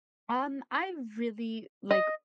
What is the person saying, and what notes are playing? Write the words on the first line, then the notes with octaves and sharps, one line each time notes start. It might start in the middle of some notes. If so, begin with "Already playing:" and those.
Um, I really, like
D#5